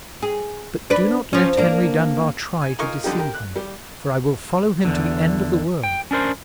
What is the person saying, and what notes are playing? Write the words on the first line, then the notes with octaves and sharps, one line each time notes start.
But do not let Henry Dunbar try to deceive me! for I will follow him to the end of the world.
G#4
D4 B4
F3 C#4
A#3 D4
G#5
D#4 F4 A#4 F5 G#5 C#6
D3 F3 G3 D#4 G4
G4 A#4
F#6
G3
E2 D3
G5
C#4 D4 A#4 C5